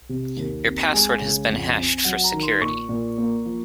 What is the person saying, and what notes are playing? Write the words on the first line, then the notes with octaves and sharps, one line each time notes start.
Your password has been hashed for security.
C3
D#2
C4
G#3 G#5
C#3
F2
C4
F#3 F#5
A#5
D#3
C6
A#2 C#6
A#2
A#3
F3